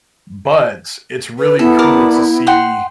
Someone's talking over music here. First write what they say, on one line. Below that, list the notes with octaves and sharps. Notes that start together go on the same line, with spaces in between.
but, it's really cool to see
B4
B3 E4 A4
A#4 D5 A5
F#5 G5 C6